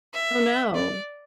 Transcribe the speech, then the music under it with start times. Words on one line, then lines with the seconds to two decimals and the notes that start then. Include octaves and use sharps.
Oh, no.
0.14 E5
0.75 D5